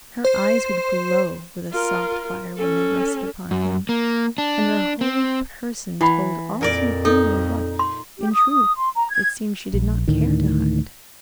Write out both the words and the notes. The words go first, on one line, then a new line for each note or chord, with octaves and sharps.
Her eyes would glow with a soft fire when they rested upon him, and her whole person told all too plainly what, in truth, it seemed she did not care to hide.
C5
F4 A#4
C#4 A4
F#2
A#3
D4
C4
E3 E4 F#5 B5
F2 A#2 A#4 D5
D#4 A4
C6
G4
D#6
C6
A#5
G#6
A#1
D2 A2 D#3